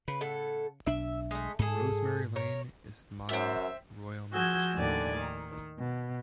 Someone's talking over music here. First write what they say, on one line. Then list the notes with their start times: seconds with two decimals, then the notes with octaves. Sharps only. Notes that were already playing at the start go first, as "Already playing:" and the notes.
"Rosemary Lane" is the modern "Royal Mint Street".
0.08 C#3 B4
0.21 A2 A4 F#5
0.87 B1 D4 E5
1.31 G#3 A3
1.59 G#2 G#4 A4
2.36 A#4 C#5
3.29 F#2 C4 E5
4.32 F3 F#4 G#4 E6 G6 G#6
4.74 D#2 A2 D3 D5 G#5
5.15 D#3
5.78 B2